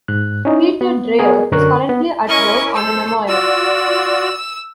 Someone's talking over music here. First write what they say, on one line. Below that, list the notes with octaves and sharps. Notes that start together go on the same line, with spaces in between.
Peter Dreyer is currently at work on a memoir.
G#2 F#6
C#4 D#4 E4
B3
B3 G#4 A#4
F#2 D3 C#4 A#4 C#6 F#6
B3
C#4 E4 A#4 D#5 C#6
A4 C5 E6
F4 F#4 D5 E6